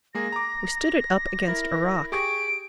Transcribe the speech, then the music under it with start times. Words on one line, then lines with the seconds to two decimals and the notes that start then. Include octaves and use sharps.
We stood it up against a rock.
0.15 G#3 A#3 G#4 A#6
0.32 A#5 D6
1.48 E4 A#4
2.12 G4 G#4 C#6 D7